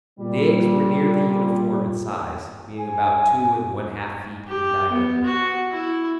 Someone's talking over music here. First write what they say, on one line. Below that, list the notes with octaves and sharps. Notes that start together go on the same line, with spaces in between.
The eggs were nearly uniform in size being about two and one-half feet in diameter.
A#2 G3
G#5
G4
B3
F#4
E4